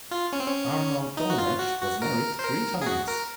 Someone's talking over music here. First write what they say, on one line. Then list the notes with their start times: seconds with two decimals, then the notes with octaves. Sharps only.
Arnold Dolmetsch was married three times.
0.11 F4
0.33 C#4
0.40 C4
0.47 C#4
1.17 D#4
1.30 F#4
1.38 F4
1.59 F#4
1.81 F#4
2.02 A#4
2.39 C5
2.44 A#4
2.82 G#4
2.86 F#4
3.08 A#4